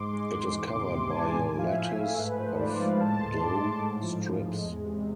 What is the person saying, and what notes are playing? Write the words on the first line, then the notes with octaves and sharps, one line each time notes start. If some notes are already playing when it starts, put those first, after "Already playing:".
It is covered by a lattice of dough strips.
Already playing: G#2 G#3 C6 D6
G#3 D6
G#2 C6
C6
E2 D6
C6
C3 D6
G#3
G#5
E3 A5
A2 G#5
F3 F5
E5
A2
A3
G#2 B4
F3 C5
G#2 D5
G#3 F5
A2 A5
G#3 C6
G#3 D6
A2
G#2
F3
G#2
G#3
E2
C3